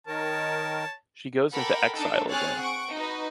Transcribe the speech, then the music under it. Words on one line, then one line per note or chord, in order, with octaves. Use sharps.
She goes into exile again.
D#3 A#4 C#5 A5
A4 A#4 F#5 G5 B5 D6
D4 D#4 A4
C4 G#4 C#5 F6 F#6 A6
F#5 C#6 D7
D#4 F#4 B4